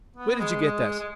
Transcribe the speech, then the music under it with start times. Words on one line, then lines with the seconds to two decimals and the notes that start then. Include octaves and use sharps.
Where did you get that?'
0.16 B3
0.39 G#3
0.62 G#3
0.84 G#3
0.99 G#3